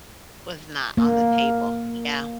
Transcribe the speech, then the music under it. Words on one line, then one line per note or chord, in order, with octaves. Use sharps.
Was not on the table. Yeah.
A#3